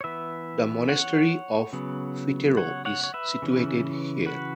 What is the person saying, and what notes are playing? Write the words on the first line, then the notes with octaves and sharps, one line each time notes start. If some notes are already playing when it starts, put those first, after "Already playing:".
The Monastery of Fitero is situated here.
C#5
E3 B3 B4 E5
C#5 F#5
C#3 F#3 B3
C#5 F#5
C#5 F#5
C#5
B4 E5
C#3 E3 C#4
F#4 B4